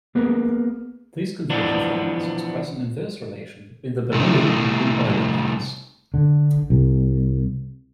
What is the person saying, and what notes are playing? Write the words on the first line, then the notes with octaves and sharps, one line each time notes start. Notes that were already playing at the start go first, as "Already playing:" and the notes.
These conversion formulas express an inverse relation between the Bernoulli and the Euler numbers.
A#3 B3 G#4 A#4 B4
E3 F3 B3 D4
C2 A2
D3
C2